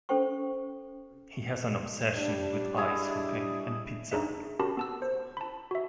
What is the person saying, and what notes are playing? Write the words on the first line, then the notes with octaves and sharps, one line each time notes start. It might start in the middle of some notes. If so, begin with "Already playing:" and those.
He has an obsession with ice hockey and pizza.
C#4 A4 C5 G5 C#6
G3 D4
E4 G#4 D#5
D4 D#4 G#4 E5
C#4 F#4 G4 A#4 A5 B5
B3 A5 E6
C5
A5 B5
F#4 E5